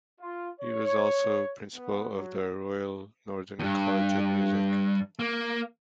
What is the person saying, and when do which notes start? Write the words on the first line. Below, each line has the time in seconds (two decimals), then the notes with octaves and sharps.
He was also principal of the Royal Northern College of Music.
0.21 F4
0.61 C#5
1.75 B3
2.13 F#3
3.59 E2 G2
5.19 A#3